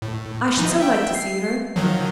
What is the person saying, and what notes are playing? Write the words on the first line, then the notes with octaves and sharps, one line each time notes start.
I should so like to see her.
A2
E3 F3 D#4
E5 G5
C7
D#3 F3 F#3